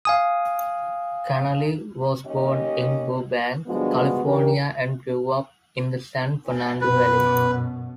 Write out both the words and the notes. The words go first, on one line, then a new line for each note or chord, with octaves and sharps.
Kanaly was born in Burbank, California and grew up in the San Fernando Valley.
F5 G#5 D#6
D#2 C#4 G4 D#5
G2 D3 F3 G#3 B3 F#4
C#3 E3 D4 G4 A#4
F#2 B2 B4